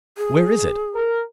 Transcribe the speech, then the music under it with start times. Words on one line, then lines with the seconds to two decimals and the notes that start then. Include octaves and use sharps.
"Where is it?"
0.18 G#4
0.95 A#4